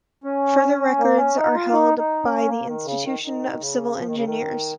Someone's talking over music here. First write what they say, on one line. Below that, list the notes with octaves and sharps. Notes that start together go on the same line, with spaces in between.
Further records are held by the Institution of Civil Engineers.
C#4
A#3
C#4
D#4
F4
D#4
D#4
C#4
A#3
D#3
C#3
D#3
D#3
C#3
F3
D#3
C#3
D#3